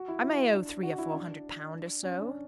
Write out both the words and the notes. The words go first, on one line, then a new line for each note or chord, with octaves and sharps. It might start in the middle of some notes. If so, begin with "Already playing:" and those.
"I may owe three or four hundred pounds or so."
Already playing: F#4
E4
E4
D4
F#4
E4
D4
C#4
D4